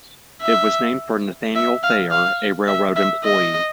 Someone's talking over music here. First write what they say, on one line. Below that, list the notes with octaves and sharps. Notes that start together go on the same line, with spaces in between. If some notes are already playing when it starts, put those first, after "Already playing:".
It was named for Nathaniel Thayer, a railroad employee.
E5
E5
F5
F5
E5
E5
D#5